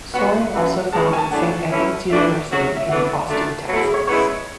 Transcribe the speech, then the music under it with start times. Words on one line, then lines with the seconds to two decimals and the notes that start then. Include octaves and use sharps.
Sorin also founded Saint Edward's University in Austin, Texas.
0.14 B2 F#3 B3 F#4 F#5
0.53 F#2 E3 B3
0.93 E3 G#3 C#4 A5
1.06 C#6
1.13 G#5
1.18 A5
1.31 A2 F#3 A3 D4 F#5
1.71 E3 A3 C#4 E4
2.10 E3 A3 D4 F#4 E5
2.50 G#2 F#3 C#4 F#4
2.77 E5
2.88 A2 E3 B3 D4 F#5
3.28 F#2 D3 A3 D4
3.68 B2 F#3 A3 E4
3.81 G#4
3.94 C#5
4.07 C#3 G#3 B3 E4 C#5